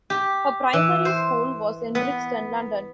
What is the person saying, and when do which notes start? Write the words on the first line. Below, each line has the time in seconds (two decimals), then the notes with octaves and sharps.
Her primary school was in Brixton, London.
0.10 G4
0.73 E3
1.05 C5
1.95 B3